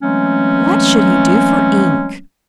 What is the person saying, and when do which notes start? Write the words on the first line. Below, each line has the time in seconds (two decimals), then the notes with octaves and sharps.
What should he do for ink?
0.02 E3 F#3 G#3 A3 C4 C#4